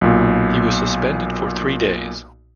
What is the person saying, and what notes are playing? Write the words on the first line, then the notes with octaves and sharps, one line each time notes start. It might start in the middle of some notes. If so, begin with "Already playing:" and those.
He was suspended for three days.
B1 A#2